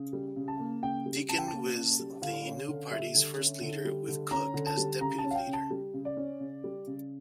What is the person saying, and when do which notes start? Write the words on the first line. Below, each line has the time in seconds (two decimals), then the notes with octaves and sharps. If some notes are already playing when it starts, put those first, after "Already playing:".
Deakin was the new party's first leader, with Cook as deputy leader.
Already playing: C#3
0.13 G3
0.36 C#3
0.48 A5
0.60 A#3
0.82 C#3 G5
1.06 G3
1.29 C#3 A5
1.38 G5
1.48 A5
1.53 A#3
1.76 C#3
1.99 G3
2.22 D3 F5
2.45 C#4
2.68 D3
2.91 G3 E5
3.14 D3
3.38 C#4
3.61 D3
3.85 G3
4.08 D3
4.31 C#4 A#5
4.54 D3
4.66 A5
4.77 G3
5.01 C#3 A#5
5.18 A5
5.24 C#4
5.31 F5
5.35 G5
5.47 C#3
5.53 A5
5.71 G3
5.94 C#3
6.05 D5
6.17 C#4
6.40 C#3
6.64 G3
6.87 C#3